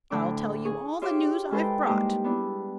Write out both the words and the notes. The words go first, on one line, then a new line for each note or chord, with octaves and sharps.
I'll tell you all the news I've brought.
D2 A2 D3 D4 D6
G#4 C#6
F4 G4 C#5 E5 C6 D6
G#3 E4 A4 B4 C5 G5
G3 G#3 A#3 D#4 G4 C5
B3 D4 E4